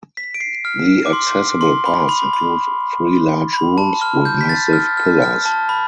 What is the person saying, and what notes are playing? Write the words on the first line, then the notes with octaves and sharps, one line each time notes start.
The accessible parts include three large rooms with massive pillars.
B6
D7
C7
F6
D6
C6
C6
B5
B5
B5
B5
A5
F6
G6
B6
A6
F6
F6
F6
A5
B5